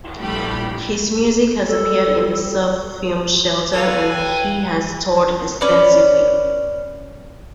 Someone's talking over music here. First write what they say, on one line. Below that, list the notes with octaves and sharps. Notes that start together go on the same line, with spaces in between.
His music has appeared in the surf film "Shelter" and he has toured extensively.
A#1 G3 A3 G4 B5
G3 A4
A4 B4 C#5 F5 G#5
G5
C#4 B4 D5